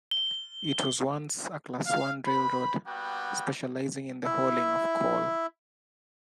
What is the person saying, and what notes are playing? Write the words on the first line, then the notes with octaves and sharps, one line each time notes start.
It was once a Class One railroad, specializing in the hauling of coal.
G7
F5
B4 C5 B5
G3 A#3 B3 F#4 G5
E4 E5